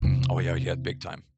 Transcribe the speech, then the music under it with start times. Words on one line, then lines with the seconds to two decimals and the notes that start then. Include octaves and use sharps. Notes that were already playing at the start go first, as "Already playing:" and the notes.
Mh oh, yeah yeah, big time.
0.02 E2 C3